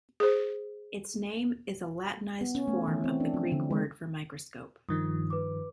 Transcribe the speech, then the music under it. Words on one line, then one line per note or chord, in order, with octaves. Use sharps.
Its name is a Latinised form of the Greek word for microscope.
G#4 C5
B3
C#4
A3
E3
C4
D4
F3
D3
G#3
G2 D#3 F3 D#6
B4 D6